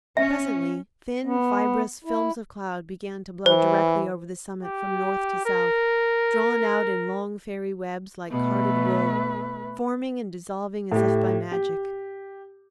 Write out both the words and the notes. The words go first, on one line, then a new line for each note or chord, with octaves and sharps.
Presently thin, fibrous films of cloud began to blow directly over the summit from north to south, drawn out in long fairy webs like carded wool, forming and dissolving as if by magic.
C#4 E5
B3
E4
E3 C5
G4
A#4
B2 A3 B4
A2 G4
G4